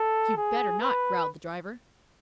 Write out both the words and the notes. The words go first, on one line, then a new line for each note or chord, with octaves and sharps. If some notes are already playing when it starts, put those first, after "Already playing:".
"You'd better not," growled the driver.
Already playing: A4
G#4
B4